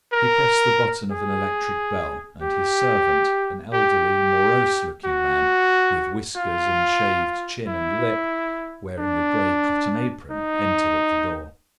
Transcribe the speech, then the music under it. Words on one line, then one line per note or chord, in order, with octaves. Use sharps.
He pressed the button of an electric bell, and his servant, an elderly, morose-looking man, with whiskers and shaved chin and lip, wearing a grey cotton apron, entered at the door.
A#4
G#4
G4
G4
F#4
F4
E4
D4
D#4